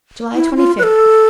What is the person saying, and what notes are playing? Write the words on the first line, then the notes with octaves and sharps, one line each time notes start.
July Twenty-fifth.
E4
F4
B4
A4